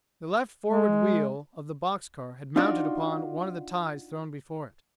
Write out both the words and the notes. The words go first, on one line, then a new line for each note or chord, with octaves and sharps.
The left forward wheel of the box-car had mounted upon one of the ties thrown before it.
G#3
D4 D#4 F4 F#4 D5